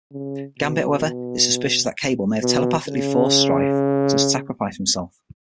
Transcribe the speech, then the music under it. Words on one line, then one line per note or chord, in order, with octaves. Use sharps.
Gambit, however, is suspicious that Cable may have telepathically forced Stryfe to sacrifice himself.
C#3
B2
B2
C#3